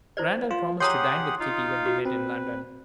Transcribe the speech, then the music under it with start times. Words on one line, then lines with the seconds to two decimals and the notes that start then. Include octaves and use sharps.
Randal promised to dine with Kitty when they met in London.
0.17 E4 C5 D5
0.51 F4
0.80 G4 G#4 C#5 F#5 A#5 C6 D#6
1.40 D#4 F4 F5
1.86 F#4
2.05 C4 B4